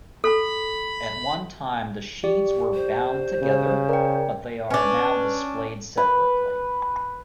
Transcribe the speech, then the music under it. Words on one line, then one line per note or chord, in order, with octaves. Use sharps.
At one time the sheets were bound together, but they are now displayed separately.
A4 B5
G4 D5
C5
C#3
A#4 D5 G5
C#4 D4 B4
B4